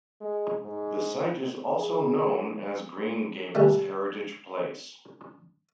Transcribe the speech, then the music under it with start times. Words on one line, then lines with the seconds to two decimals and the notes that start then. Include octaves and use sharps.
The site is also known as Green Gables Heritage Place.
0.21 G#3
0.65 G#2
1.76 E3 G#4
3.55 D3 G3 A3